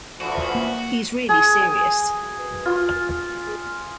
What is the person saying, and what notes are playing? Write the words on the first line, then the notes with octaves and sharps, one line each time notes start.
He's really serious.
D2 E3 F3 F#4
A#3
G#4
G#5
F4